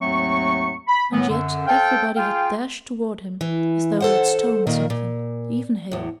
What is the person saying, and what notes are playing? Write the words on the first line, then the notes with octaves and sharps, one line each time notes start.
And yet everybody had dashed toward him as though he had stolen something--even Hale.
D#2 G#2 F#3 A3 C4 C#6
B5
A2 D#3 E3 F#3 B3
F#2 D3
A4 C5 F5 G5
F4 G#4 F5 G5
E3
A4 C5 F#5
A#2 D#3 A#3
A#2
E2 A2